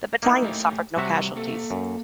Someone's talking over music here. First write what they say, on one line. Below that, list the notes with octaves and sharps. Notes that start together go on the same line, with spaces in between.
The battalion suffered no casualties.
A#3 D#4 E4
A3 G4 C#5
C3 G3 F#4 C#5 E5 F#5
A#3 A4
F#2